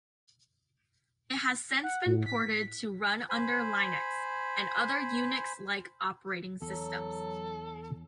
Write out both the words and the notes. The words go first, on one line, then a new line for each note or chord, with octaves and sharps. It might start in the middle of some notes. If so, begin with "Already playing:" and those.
It has since been ported to run under Linux, and other Unix-like operating systems.
F#5
A2
B6
C5 G#5 B5
E2 F#3 A4